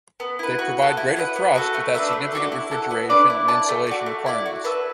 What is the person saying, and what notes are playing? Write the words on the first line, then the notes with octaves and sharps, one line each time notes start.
They provide greater thrust without significant refrigeration and insulation requirements.
B3
E4 B4
F#4
A4 F#5
E4
B4 D5 F#5
B3
F#4 A4 F#5
A3
D4 B4 E5
A3
D4 F#4 A4
E4
A4 F#5
B3
D4 B4 D5
E4
D5 A5
A3
F#4 D5
A3
E4 D5
F#4
B4 E5 A5